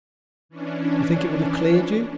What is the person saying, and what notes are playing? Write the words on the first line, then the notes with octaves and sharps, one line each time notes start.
You think it would have cleared you.
E3 C#4 D4